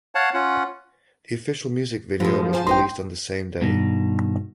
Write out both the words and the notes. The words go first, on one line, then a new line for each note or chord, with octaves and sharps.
The official music video was released on the same day.
C#5 F5 F#5 A5
C#4 F4 F#5
A2 F3 G#3
C5 G#5 A5
A1 D#4 C5 F5 G5 C6
G2 B2 D#3